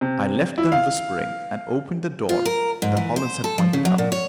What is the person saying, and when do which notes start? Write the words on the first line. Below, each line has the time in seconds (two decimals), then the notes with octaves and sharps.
I left them whispering, and opened the door that Hollins had pointed out.
0.01 C3
0.58 E4
0.72 F5
2.29 F4
2.45 A#4
2.82 G#2
2.97 E3
3.16 C5
3.44 A4
3.58 F3
3.73 C#3
3.85 F#3
3.98 A#2
4.12 C#5